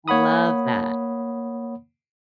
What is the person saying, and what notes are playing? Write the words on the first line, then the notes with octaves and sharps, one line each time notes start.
Love that.
A#3 C#5 F#5 B5 D#6